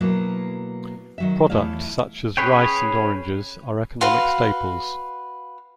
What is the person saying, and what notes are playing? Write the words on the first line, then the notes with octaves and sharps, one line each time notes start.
Products such as rice and oranges are economic staples.
B2 F#3 A#3 E4 B4
D#3 F#3 E5
E2 A3 E4 F4 C#5 F5
C#4 G#4 B4 C#5 G5
F#4 B4 F5 C6